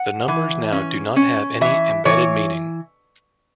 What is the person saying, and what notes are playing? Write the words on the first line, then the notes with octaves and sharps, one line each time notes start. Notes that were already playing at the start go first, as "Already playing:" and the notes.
The numbers now do not have any embedded meaning.
Already playing: F#5
E3
C#4
C#4
E3 E5
E3 C#5